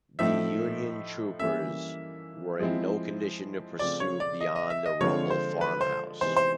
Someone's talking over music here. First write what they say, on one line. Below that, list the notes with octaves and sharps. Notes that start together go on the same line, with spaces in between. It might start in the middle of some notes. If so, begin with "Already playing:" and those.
The Union troopers were in no condition to pursue beyond the Rummel farmhouse.
A2 F3 A3 C4 D#4 E5
E3 G3 A#3 C#4 E5
F3 G#3 C4 E4
C#3 F3 A3 C4 F4 D5
C#5
D5
D#5
D#5
E5
D#5
D3 F3 G#3 C4 F4 C#5
C5
B4
C5
C3 E3 G#3 B3 D#4 C5
C5